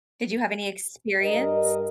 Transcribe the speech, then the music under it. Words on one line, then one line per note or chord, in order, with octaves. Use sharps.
Did you have any experience?
G2 A#4 D#5